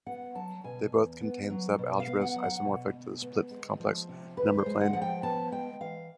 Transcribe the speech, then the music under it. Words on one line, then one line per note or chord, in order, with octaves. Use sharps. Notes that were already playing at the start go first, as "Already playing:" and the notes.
They both contain subalgebras isomorphic to the split-complex number plane.
B3 F#5
F#3 A5
B2 G#5
E2
B3
F#3
B2
F5
B3
F#5
F#3
F#5
B2
B2
B3
G#3
F3
C3
F2 B4
C5
G#3
F#5
F3 F#5
G5
B3 A5
G#3 G5
E3 F5